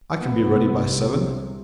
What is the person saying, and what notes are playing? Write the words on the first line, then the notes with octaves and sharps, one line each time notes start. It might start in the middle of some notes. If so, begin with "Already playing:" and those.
I can be ready by seven.
C2 C3 B3